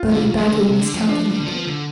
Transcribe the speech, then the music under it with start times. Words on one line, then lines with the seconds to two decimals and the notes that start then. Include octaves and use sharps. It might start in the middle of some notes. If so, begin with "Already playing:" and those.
But he badly miscalculated.
Already playing: F4
0.09 D3
0.22 C3
0.30 F2
0.37 G2
0.52 D3
0.65 C3
0.79 D3
0.94 F3
1.08 F3 D4
1.27 G3
1.39 D3
1.46 F3
1.66 D3